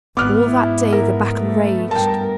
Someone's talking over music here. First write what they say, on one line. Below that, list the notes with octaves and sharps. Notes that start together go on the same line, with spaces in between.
All that day the battle raged.
G#1 B3 D6 F6 F#6
G#2 E4
A#4
A3
G2 A#4 G5 A5